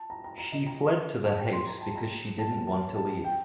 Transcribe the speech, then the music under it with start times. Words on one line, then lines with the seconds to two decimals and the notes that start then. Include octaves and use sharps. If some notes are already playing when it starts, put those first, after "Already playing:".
She fled to the house because she didn’t want to leave.
Already playing: A5
0.10 A#5
0.24 A#5
0.38 A#5
0.52 D#5
0.66 A#5
1.24 A5
1.39 G5
1.53 C6
1.67 A#5
1.81 A5
1.95 A#5
2.39 A5
2.67 A5
2.96 A5
3.24 G5